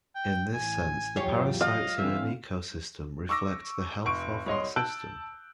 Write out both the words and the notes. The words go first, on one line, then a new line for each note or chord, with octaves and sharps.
In this sense, the parasites in an ecosystem reflect the health of that system.
G5
A1 G#5
E2 G#2 F#3 F4 G4 C#5
D#5 F5
D3 E3 C4 E5
C#6 D6 E6 A#6
F1 C#6 D7
C2 C#5 D#5 C6
A5 E6 F#6 G6 D7